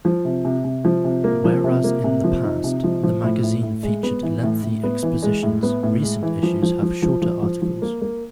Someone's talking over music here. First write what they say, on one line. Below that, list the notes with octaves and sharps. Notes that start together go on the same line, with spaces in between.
Whereas in the past, the magazine featured lengthy expositions, recent issues have shorter articles.
F3
C3
C3
C3
F3
C3
A#3
F3
C3
A#3
C3
F3
D#4
C3
F3
F3
A2
A2
A2
G#3
B3
E3
A2
A2
B3
E3
G#3
A2
B3
A2
G#3
E3
F3
F3
F3
F3
F3
F3
F3
A#3
A#3